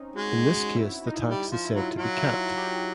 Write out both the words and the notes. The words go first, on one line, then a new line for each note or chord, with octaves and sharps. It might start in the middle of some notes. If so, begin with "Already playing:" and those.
In this case the tax is said to be capped.
Already playing: C4 C#4 D#4
G#3 F#4
F#4
E4
D#4
E4
D#4
G3
F3 F4
E4
F#3 F4
F#3 F4
E4
F4
G4